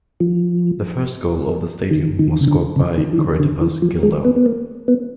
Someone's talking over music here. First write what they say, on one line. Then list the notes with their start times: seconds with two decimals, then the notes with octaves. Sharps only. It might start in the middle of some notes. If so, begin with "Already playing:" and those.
The first goal of the stadium was scored by Coritiba's Gildo.
0.20 F3
1.91 D#3
2.19 D#3
2.41 C#3
2.48 D3
2.76 C#3
2.98 D#3
3.13 E3
3.18 D#3
3.40 D3
3.61 E3
3.82 F3
4.03 G#3
4.25 B3
4.36 B3
4.46 A#3
4.88 B3